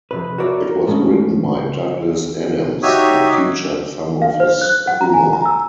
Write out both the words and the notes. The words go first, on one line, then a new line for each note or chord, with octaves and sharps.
It was written by Douglas Adams, and featured some of his humour.
F2 C3 B4
F#4 A#4 B4 C#5 D5 E5
A#4
A2 G#3 C#4
D#4 F#4 G4 C#5 E5 D#6
F5
C5
F#6
F#5
A#5
G#5
A#5
E6